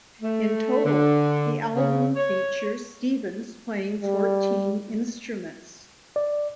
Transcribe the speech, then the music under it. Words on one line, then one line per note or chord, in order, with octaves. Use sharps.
In total the album features Stevens playing fourteen instruments.
A3
D3
C#3
C#5
G3
D5